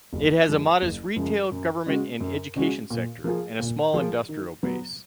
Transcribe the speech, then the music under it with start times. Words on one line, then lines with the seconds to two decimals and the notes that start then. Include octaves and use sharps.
It has a modest retail, government and education sector, and a small industrial base.
0.13 F#1
0.48 F#2 C#3 F3 G#3
0.82 F#1
1.16 F#2 C#3 F3 G#3
1.52 F#2
1.86 C#3 G#3 C#4 F#4
2.20 F#2
2.56 C#3 G#3 C#4 F#4
2.90 A#2
3.24 F3 A#3 F4 G#4
3.60 A#2
3.94 F3 A#3 F4 G#4
4.29 D#3
4.63 F#3 B3